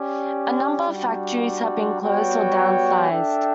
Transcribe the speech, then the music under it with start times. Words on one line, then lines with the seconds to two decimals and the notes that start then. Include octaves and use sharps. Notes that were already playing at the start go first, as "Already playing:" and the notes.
A number of factories have been closed or downsized.
Already playing: C#4 G4 D5
0.89 G3 D4 F#4
2.00 G3 B3 F#4 C#5 G5
3.09 D4 A4 E5 G5